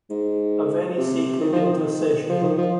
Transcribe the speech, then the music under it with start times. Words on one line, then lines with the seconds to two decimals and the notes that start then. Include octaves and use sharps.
A very sacred intercession.
0.10 G#2
0.97 C3
1.41 D#3
1.53 F3
1.66 D#3
2.29 F3
2.43 D#3
2.58 F3